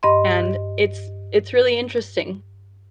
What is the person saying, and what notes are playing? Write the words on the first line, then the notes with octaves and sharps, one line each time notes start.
and it's it's really interesting.
G2 D#5 C6